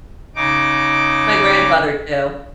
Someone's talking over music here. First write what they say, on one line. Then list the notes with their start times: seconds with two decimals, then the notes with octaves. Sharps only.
My grandfather too.
0.36 C#3 D#4 D6